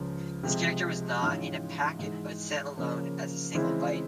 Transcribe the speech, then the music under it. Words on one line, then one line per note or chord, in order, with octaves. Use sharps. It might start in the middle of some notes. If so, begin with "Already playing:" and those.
This character was not in a packet, but sent alone as a single byte.
Already playing: C#2 C#3 F3
C3 F3 G#3
G#2 E3 G#3 C#4 F4
G#2 E3 G#3
C#3 F3 A#3 C#4
C#3 E3 G#3 C4 E4